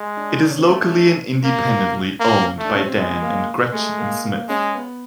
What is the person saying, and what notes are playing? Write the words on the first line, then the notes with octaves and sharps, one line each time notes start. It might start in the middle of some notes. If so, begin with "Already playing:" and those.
It is locally and independently owned by Dan and Gretchen Smith.
Already playing: G#3
D4
D4
C#4
C4
A3 C#4
A#3
A#3
A3
D4
C#4
C4
G#3 B3
A#3
G#3 A3
A#3
A#3
G#3 C#4
B3